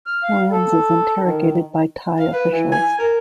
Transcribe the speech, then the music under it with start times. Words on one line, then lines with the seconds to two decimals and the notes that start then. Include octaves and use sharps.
Williams is interrogated by Thai officials.
0.07 F6
0.23 F5
0.51 A4
1.23 D#3
2.19 F5
2.33 B4
2.51 E3
2.71 G#5
2.99 A#4